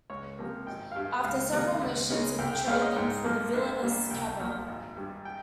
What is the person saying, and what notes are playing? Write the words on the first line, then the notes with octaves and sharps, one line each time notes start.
After several missions, he betrayed them for the villainous Cabal.
C#2 C#5
C3 F3 A#3
G#1 G5
F5
G2 G3 G5
C#2 F5
C3 D#3 A#3 D#4
C#2
C#3 G#3 D#4
C2 G5
G5
A#2 G#3 C#4 F5
D#5
G#2 G5
F3 A#3
A#1
A#2 G3
C2 G5
A#2 F3
G#1
G2 G3
G5